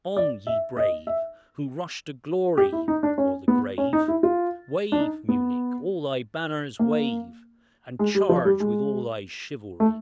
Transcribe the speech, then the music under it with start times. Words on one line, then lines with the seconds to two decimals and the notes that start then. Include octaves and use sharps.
On, ye Brave Who rush to glory, or the grave! Wave, Munich all thy banners wave, And charge with all thy chivalry!
0.17 D5
0.47 E5
0.77 D#5
1.07 E5
2.57 G4
2.72 E4
2.88 D#4
3.03 D4
3.18 C#4
3.48 B3
3.78 C#4
3.93 D#4
4.08 E4
4.23 F4
4.92 D4
4.98 D#4
5.29 B3
6.79 A#3
7.99 G#3
8.15 G3
8.29 F3
8.45 G3
8.60 G#3
9.80 A3